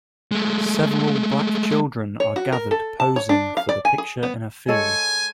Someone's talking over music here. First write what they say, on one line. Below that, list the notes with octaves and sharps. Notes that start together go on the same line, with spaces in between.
Several black children are gathered posing for the picture in a field.
G#3 A3
C#5
F#4
A#4
A4
A5
C#5
D4
F5
D5
G#5
G#4
B3
G#3 A4 C#5 G#5